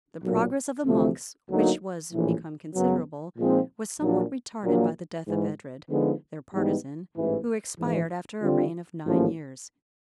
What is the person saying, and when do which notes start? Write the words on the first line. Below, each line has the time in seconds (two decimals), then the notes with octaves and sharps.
The progress of the monks, which was become considerable, was somewhat retarded by the death of Edred, their partisan, who expired after a reign of nine years.
0.23 B1 A#2 F#3 A#3
0.86 D2 C3 F3 A3 C4
1.49 D2 D3 F#3 A#3 D#4
2.12 A#1 A2 E3
2.75 F#2 C#3 F#3 B3
3.37 A#2 F3 G#3 C4 D#4
4.01 A#1 A#2 F#3 A#3 D4
4.64 A#1 A#2 F#3 A#3 D4
5.26 G#2 E3 G#3
5.89 D3 F3 G#3 B3 D#4
6.53 G#2 E3 G3 B3 D#4
7.16 A1 G#2 E3
7.79 A#1 G#2 E3
8.41 D3 G3 C4 F4
9.05 A1 G#2 F3 A#3 C#4